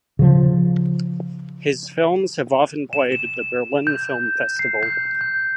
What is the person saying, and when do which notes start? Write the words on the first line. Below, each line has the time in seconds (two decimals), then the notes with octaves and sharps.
His films have often played at the Berlin Film Festival.
0.19 C#3 F3
2.93 E7
3.12 E7
3.87 G6
4.59 C7
4.83 G6
5.21 G6